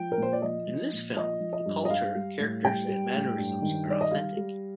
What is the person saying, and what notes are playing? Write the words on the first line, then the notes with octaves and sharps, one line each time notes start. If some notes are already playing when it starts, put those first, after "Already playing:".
In this film, the culture, characters and mannerisms are authentic.
Already playing: F3 G5
A#4
A#2 C5
D5
F3 D#5
F3
A#2
F3 D#5
F3
D#5
G2
D#5
G3 F5
G3
A2
G3 G5
G3
A2
G2
D#3
G3 D5
D#5
G3 F5
G3